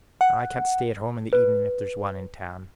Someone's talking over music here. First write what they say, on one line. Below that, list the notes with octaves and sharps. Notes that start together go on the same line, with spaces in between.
I can't stay at home in the evening if there's one in town.
F#5
B4